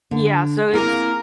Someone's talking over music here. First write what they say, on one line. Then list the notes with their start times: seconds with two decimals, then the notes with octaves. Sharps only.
Yeah, so it's
0.11 D3
0.74 A#3 C4 E4 G#4 A#4